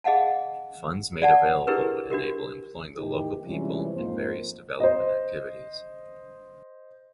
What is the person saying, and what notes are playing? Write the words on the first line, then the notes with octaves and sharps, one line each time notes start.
Funds made available would enable employing the local people in various development activities.
G#4 D#5 F5 F#5 A5
D5 F#5 A5
D4 E4 G4 G#4 A#4 B4
D4 F#4 G4 A#4
E2 A2 D#3 D#4 G4
C3 E3 F3 G3 G#3 C#4
F2 G#2 A#3 D#4 F4 C5
C5 D#5